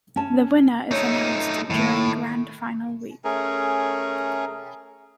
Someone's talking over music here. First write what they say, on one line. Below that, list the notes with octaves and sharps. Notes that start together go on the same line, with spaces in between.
The winner is announced during grand final week.
C#4 A5
A3 D#4 B4 C#5
A2 D#3 A3
A3 C#4 G#4 A#4